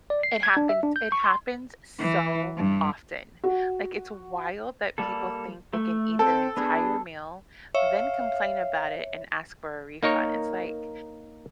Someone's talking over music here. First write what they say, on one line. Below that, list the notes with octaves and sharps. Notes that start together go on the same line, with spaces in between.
It happened it happens so often, like, it's wild that people think they can eat their entire meal, then complain about it and ask for a refund, it's like
D5
C7
G#6
D4
E5
D4
G6
C#6
C6
E3
G2
F#4
G3 A#3 A4
A3
C4 A4 G5
B3 D4 G#4
C#5 E5 F5
A#3 D#4 A#4 C#5